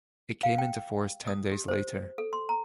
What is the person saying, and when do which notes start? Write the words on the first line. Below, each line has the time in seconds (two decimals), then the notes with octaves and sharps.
It came into force ten days later.
0.43 F5
0.58 G5
1.27 D#6
1.52 G4
1.68 C5
2.18 A4
2.33 C6
2.49 A#5